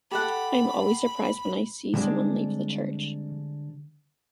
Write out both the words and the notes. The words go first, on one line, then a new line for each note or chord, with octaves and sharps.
I am always surprised when I see someone leave the church.
G4 A4 F#5 B5
D3 G3 G#3 C4 D4